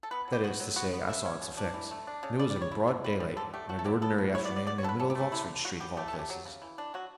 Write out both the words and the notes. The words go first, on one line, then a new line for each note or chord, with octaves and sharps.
That is to say, I saw its effects, and it was in broad daylight, on an ordinary afternoon, in the middle of Oxford Street, of all places.
A4
B3 B4
F#3 G4
B3 F#4
F#3
B3 F#4
B3
C#3 E5
C#4
B2
D4
E3
A3
D4
C#3
G3 D5
D5
G3
C#5
E4
B2
G3 B4
G3
D3 A4
A3 G4
A3 F#4
A4
F#3 G4
B3 A4
F#3
E4 C#5
D5
B3
D5
B3 D5
C#5
B3 A4
B4
C#4 A4
G4
A3
F#4
D3 E4
D3
F#3 F#4
B3 G4
A3 G4
A4
C#4
G4
F#3
C#3
E3
D4
F#3 F#4